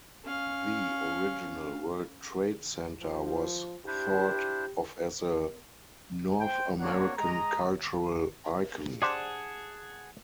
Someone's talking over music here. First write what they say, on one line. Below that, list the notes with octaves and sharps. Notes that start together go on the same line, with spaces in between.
The original World Trade Center was thought of as a North American cultural icon.
C#4 F5
F3
D4 E4 G4 C5
C5 G5
A#3 C4 D4 C#5 F#5
G#3 D#5 A#5
D4 G4 G#4 C5 F#5 A5